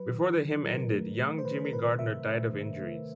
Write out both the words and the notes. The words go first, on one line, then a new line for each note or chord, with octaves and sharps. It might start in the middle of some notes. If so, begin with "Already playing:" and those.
Before the hymn ended, young Jimmy Gardner died of injuries.
Already playing: F#3 B4
D#3
D#3
F#3 A#4
A3
A3
C5
D#3 B4
A#4
C3 B4
C3 E5
A3
D#3
A3